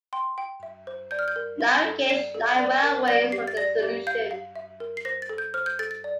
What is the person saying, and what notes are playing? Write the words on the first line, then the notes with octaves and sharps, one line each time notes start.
Narrow gauge light railways were the solution.
G5 C6
G5
E5
C5
D5 G6
F6
G6
A#4
E5
A4
D5 C7
A4
D5
A#4
D5 A#6
G4 C7
A6
D5 A#6
G4
F5 G6
F5
E5
A#4
C7
C5 A#6
A6
A4
G6
C5 F6
G6
A4 A6
A6
D5